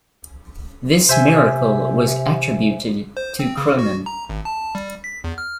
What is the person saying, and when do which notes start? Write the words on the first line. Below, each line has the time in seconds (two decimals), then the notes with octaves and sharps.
This miracle was attributed to Cronan.
1.09 C3 C5 E5 G#5
3.17 C5
3.39 C4
3.57 C#3
3.79 F#4
4.06 A#5
4.29 G#1
4.45 A5
4.75 G3
5.04 B6
5.24 E2
5.38 F6